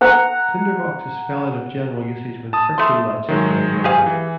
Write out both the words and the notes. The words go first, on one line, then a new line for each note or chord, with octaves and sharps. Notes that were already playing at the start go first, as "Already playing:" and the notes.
Tinderboxes fell out of general usage when friction matches were invented.
F#5 A#5
A5 D#6
A3 C6
D#3 F#3 G#3
G4 G#4 F5
E3